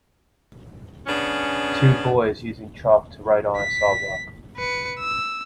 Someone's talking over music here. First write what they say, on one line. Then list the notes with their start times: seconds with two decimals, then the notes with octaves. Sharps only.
Two boys using chalk to write on a sidewalk.
1.07 C#3 B3 C#4 D4
3.56 B6
4.56 B4 C#7
4.99 E6